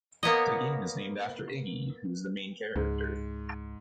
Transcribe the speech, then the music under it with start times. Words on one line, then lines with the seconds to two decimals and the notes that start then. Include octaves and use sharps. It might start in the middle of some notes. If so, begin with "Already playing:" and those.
The game is named after Iggy, who is the main character.
0.23 A#3 B3 C#5 D#5
2.76 C#2 G#2